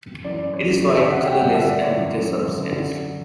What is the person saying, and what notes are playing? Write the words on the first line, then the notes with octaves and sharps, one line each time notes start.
It is a white, colorless and bitter substance.
F#2 E3 D5
C#5
D2 C#3 E3 D5
E5
F#5
G5
G2 D3 F#5
E5
D5
C#5
F#2 E3
F#2 D3